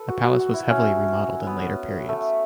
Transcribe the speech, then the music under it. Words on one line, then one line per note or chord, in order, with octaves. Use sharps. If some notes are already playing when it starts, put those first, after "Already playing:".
The palace was heavily remodeled in later periods.
Already playing: A4 B4
F#4
F#4
F#4
E4
C#4
B3
A3